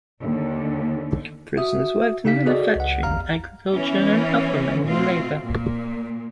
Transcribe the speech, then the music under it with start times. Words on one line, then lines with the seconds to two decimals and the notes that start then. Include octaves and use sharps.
Prisoners worked in manufacturing, agriculture and other manual labor.
0.21 D#2 D3
1.57 F#4 E5 D#6
2.25 C#3 D#4 G4 F5 B6
2.46 F#4 G#4 A4 D5 D#5
2.76 C#2 F#5
3.03 A1 E2 F5 A#5 F6
3.73 E3 B3 C#4
4.85 B2 A3 C4 F4
5.44 A#2